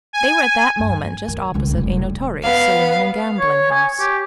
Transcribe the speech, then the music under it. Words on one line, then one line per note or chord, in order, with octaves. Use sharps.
They were at that moment just opposite a notorious saloon and gambling house.
G#5
G2
D#3
C#2 D3
F1 G3
B3 F5
C#5
G#5
G4